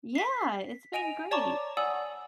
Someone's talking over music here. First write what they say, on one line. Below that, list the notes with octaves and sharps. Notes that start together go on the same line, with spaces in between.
Yeah, it's been great!
B6 C7
D#5 G#5 D7 D#7 F7
C#5 D5 A5 A#5 C#6 D6
D5 F#5 G#5 D#6 E6 F#7